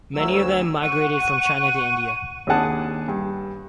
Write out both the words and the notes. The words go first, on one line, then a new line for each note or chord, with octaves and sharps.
Many of them have migrated from China to India.
D2 F#3 E6
F#5 C#6 D#7
D#2 C3 D4 G#4 F#5 A5
G2